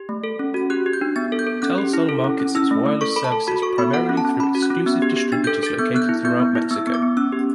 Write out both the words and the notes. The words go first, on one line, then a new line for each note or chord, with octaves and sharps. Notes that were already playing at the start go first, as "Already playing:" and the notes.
Telcel markets its wireless services primarily through exclusive distributors located throughout Mexico.
Already playing: G4
A3
A4
C#4
F#4
G4 F#6
G4
G6
D4
B3 A6
A4
G6
A4
C#4 F#6
G4
E4
A4
C#4
C#4
E4 E6
A3
A3
A4 C#6
A4 B5
A5
A4
F#4 B5
A4 C#6
B3 B5
A4 F#5
C#4
A5
C#4
C#4 B5
F#4
F#6
C#4
B3
G4
G4
D4 A6
A4 G6
A4 A6
B3 G6
B3 F#6
G6
E4
B3 G6
B3
E4
B3 E6
B3
D6
B3
C#4 E6
G4